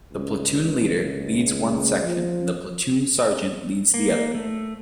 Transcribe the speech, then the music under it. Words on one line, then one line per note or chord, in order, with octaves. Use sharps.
The platoon leader, leads one section and the platoon sergeant leads the other.
C#2
F3
A#3
A3